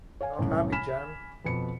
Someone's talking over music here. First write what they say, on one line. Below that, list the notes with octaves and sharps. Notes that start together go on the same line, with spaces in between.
Not happy, Jan!
C#5 F5 G#5
C2 F#2 A2
G#5 B5 F6 B6 E7
F2 B2 B5 C#7